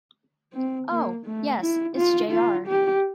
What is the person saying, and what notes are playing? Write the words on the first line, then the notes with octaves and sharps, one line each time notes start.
Oh, yes, it's J. R.
C4
A#3
A3
E4
F4
F4
G4